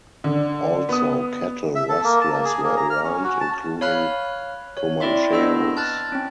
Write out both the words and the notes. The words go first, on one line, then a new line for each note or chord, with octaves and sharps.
Also, cattle rustlers were around, including Commancheros.
D3
B3 D#6
E5
A4
A#3
A5
A#3
G#4
A#3
A#5
F6
C#4
F#4
A5
C#5 F5 B5 F6 F#6
C#5
C4 E4 D5 E5 C6
B3 D4 E4 D#5 C6 E6
A5 F6 F#6 A6
C4 C#4